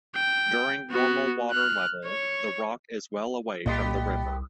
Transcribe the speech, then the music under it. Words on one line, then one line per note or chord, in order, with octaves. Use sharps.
During normal water level the rock is well away from the river.
G5
B3 F#4
F6 F#6
C#5 C#6
C2 A#2 A3 B3 G4 D#5 C6